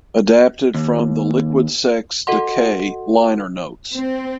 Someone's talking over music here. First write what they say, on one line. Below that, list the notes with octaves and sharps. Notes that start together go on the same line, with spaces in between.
Adapted from the "Liquid Sex Decay" liner notes.
D#2
F#4 A4 D#5 F#5 C6
C4